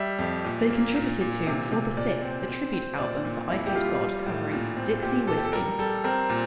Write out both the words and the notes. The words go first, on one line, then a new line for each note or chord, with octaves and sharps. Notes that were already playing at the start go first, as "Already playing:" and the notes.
They contributed to "For the Sick", the tribute album for Eyehategod, covering "Dixie Whiskey".
Already playing: G3 E5
F2
A#2
A#3
A#2
A#2
C3
C3
A#2 D5
C4
C4
C4
A#2 D5
A#2
F2 E4
G4
G3 F4
G3
A2
A#2
C4
A#2 G4
A#2 A4
G4
A4
G3 A#4
G3 A4
C4 A#4
A#2